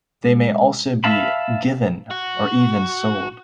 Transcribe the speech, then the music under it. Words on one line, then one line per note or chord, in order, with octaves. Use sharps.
They may also be "given" or even sold.
G#3
E5 F5 A5 B5
F#4